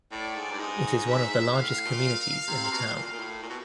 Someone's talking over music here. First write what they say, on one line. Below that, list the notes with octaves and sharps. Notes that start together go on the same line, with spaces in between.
It is one of the largest communities in the town.
A2 D5
G#2
G2
G#2 D#5
E5
A2 F5
A#2
C3
C3
B2
A2
A#2
A#2
A2
A#2
B2